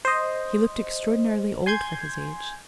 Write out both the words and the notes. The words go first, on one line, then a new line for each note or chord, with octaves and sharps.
He looked extraordinarily old for his age.
C5 D#5
G#5 C6 G6 G#6